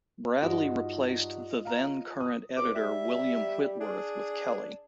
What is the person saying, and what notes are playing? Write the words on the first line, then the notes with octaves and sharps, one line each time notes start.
Bradley replaced the then current editor William Whitworth with Kelly.
G2 D#4 F4 F#4 D#5
F5 A#5
D#6
C#2 D6
G3 E5
D4 G#4